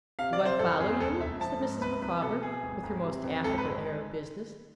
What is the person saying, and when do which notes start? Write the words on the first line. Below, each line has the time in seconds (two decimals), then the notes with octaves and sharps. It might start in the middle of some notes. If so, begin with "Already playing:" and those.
'Do I follow you?' said Mrs. Micawber, with her most affable air of business.
0.19 C3 F5
0.33 D5
0.39 C3
0.45 C5
0.59 F2 A4
0.80 F2 G#4
1.00 E1 A4
1.20 E1 E5
1.41 F3 A5
1.61 G#2
1.81 C2 B4
2.02 C2 B4
2.22 B2 A4
2.42 B2 G#4
2.63 G#1
2.83 G#1
3.04 C3
3.24 F2
3.44 G#1 A4
3.58 B4
3.65 G#3